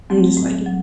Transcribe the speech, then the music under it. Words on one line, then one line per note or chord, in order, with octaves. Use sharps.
I'm just like it
F#3 A3 C4
A2
F#3